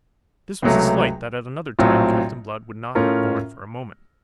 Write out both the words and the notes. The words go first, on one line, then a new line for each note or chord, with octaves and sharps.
This was a slight that at another time Captain Blood would not have borne for a moment.
C#2 C3 F#3 A3
A#1 A2 F#3 C4 F4
A2 A3 C#4 F4 A#4